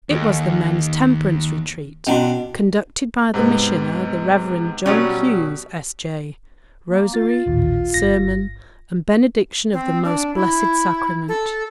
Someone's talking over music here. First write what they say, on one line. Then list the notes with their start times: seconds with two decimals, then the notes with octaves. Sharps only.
It was the men's temperance retreat conducted by the missioner, the reverend John Hughes S. J., rosary, sermon and benediction of the Most Blessed Sacrament.
0.11 D#2 A4
2.07 B2 C#4 D4 E4 F#4
3.34 G#2 C3 B3
4.86 B2 F#3 G3 C#4
6.89 A#3
7.14 F4 A6
7.46 A1 D#2 A#2
7.94 G1 A#6
9.73 C4
10.04 D4
10.35 E4
11.28 A4